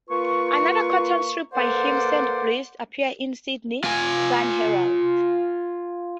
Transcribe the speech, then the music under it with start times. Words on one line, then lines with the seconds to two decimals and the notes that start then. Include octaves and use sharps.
Another cartoon strip by him, "Sandy Blight", appeared in Sydney's "Sun-Herald".
0.10 A#3 F4 B4 C#6
1.54 A#3 A4 B4 C5 D5 F#5
3.84 F4 G#5